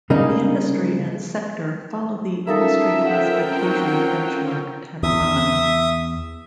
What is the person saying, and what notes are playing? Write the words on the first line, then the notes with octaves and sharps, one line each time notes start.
The industry and sector follow the Industry Classification Benchmark taxonomy.
C#3 G3 A#3 D#4
A#3 C#4 D#4 F4 A4 E5
C4 A#4 F#5 G5
F#3 D#4
E2 E5 D#6